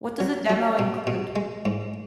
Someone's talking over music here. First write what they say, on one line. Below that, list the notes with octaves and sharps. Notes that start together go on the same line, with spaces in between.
What does a demo include?
F#3
F#3
B2
B2
G#3
G#2